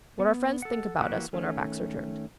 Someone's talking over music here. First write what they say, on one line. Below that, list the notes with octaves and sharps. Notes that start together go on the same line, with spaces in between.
What our friends think about us when our backs are turned.
B3
A4 F#5
E3 A#3 F#4 G4 F#6
D#3 A3 C#4